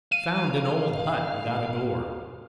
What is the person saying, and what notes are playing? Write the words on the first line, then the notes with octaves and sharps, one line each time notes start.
He found an old hut without a door.
F5 D#7